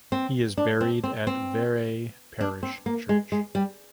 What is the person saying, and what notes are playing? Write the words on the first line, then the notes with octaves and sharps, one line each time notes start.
He is buried at Vere Parish Church.
C4
D4
C4
C4
C4
D4
C4
A#3
G#3
G#3
G3